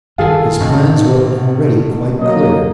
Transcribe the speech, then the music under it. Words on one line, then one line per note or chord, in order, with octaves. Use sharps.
His plans were already quite clear.
G2 D#3 F4 G#4 A4
G#1 A2 C3
F#3 A#3 D#5